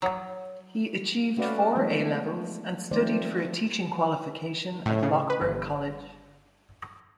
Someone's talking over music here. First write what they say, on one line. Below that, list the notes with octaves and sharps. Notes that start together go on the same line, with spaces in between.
He achieved four A levels and studied for a teaching qualification at Loughborough College.
F#3
A3 C#4 F#4 B4 D5 F5
E3 F#3 G#3 A3 B3 D4
D#3 F3 A3 C4 C5 D5
A2
C#3
B4
G1